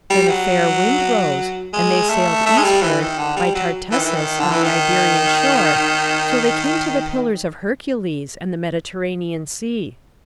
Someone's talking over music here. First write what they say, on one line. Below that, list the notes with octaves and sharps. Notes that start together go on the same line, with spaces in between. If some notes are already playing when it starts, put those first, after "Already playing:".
Then a fair wind rose, and they sailed eastward, by Tartessus on the Iberian shore, till they came to the Pillars of Hercules, and the Mediterranean Sea.
G3
F#3
G#3
A3
A3
G#3
G3
E3
D#3
D3
G3
F#3
E3
D#3
E3
D#3
D3
E3
D#3